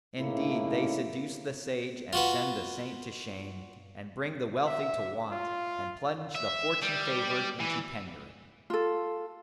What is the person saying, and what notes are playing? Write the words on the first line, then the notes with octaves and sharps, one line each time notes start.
Indeed, they seduce the sage and send the saint to shame and bring the wealthy to want and plunge the fortune favoured into penury.
A2 C#3 A#3 D#4 E4
F4 F#4 B4
E5
F4
E5
G3
E3
F4 A4